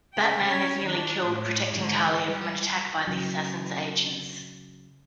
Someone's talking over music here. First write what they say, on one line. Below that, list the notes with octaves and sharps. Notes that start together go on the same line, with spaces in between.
Batman is nearly killed protecting Talia from an attack by the assassin's agents.
C#3 G5
C#4
D#3 D4
A2
G#2 D3
G3
C#3 F#3